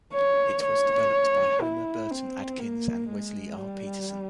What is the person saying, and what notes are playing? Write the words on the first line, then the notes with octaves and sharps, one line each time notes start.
It was developed by Homer Burton Adkins and Wesley R. Peterson.
C#5
C#5
E4
C4
A#3
G#3
G3